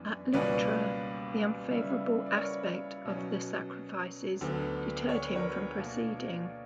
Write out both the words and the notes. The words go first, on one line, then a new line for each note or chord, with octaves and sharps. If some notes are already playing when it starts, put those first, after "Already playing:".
At Leuctra the unfavourable aspect of the sacrifices deterred him from proceeding.
Already playing: F#2 E3 B3 D4
C#2 B2 G3 A#3 C#4 B4 D5
C#3 G3 C#4 E4
D5
A#4 C#5
B2 F#3 C#4
D2 D3 F#3 B3
C#5
B4
A#4 C#5
B2 A#3 D4